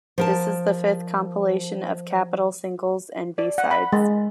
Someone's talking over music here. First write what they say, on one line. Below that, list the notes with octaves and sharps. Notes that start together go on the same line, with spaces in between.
This is the fifth compilation of Capitol singles and B-sides.
F3 A#4 A5
D5
F#5
B5
G#3